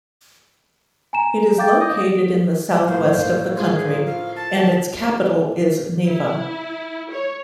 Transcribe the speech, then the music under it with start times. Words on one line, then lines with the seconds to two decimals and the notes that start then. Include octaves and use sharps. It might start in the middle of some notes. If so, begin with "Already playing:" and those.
It is located in the southwest of the country, and its capital is Neiva.
1.13 G#5 A#5 E7
1.58 F5 G5 D6 A6
1.80 D#5
2.87 A2 F3 A#3 C5 F5
3.57 F4 G#4 C5
4.06 F5
4.36 A5
6.10 E4
7.12 C#5